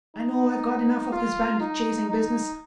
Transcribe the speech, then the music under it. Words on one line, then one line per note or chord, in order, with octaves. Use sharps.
I know I've got enough of this bandit-chasing business.
D#4
F4
D#4
D#4